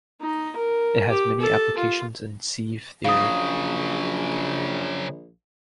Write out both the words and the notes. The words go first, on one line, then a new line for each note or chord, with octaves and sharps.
It has many applications in sieve theory.
D#4
A#4
G4
A4
F4
A#1 C#3 F#3 F5 D#6